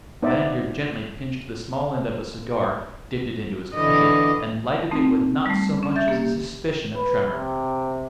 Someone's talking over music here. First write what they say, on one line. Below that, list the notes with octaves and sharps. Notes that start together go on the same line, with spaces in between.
Lanyard gently pinched the small end of a cigar, dipped it into his coffee, and lighted it with not so much as a suspicion of tremor.
B3 D#4 C5 D5 E5
D3 E3 D#5
A3 C4 D#4
G3 A3
C#4
E5 G6 A6
A#3 G4
B4
C3